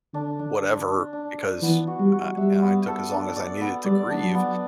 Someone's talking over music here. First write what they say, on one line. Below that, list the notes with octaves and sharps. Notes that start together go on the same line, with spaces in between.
whatever because I I took as long as I needed to grieve,
D3 D4
D4
D4
D4
D4
C5
E3 B3
F#4
G3
F#4
G3 E5
B3
A4
D4
D5
B3
G3 D5
D4
F#3
B3